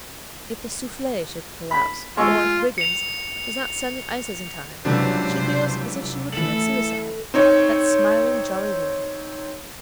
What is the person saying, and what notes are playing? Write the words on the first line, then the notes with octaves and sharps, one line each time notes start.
If the SOUFFLE should collapse, or if Wiggins does not send the ices in time--she feels as if she would commit suicide--that smiling, jolly woman!
B5
G#3 F4 C#6 E6
C#7 F7
G1 C#2 C3 E3 F#3 D4 C5
E3 A3 A4 F#7
C4 D#4 C#5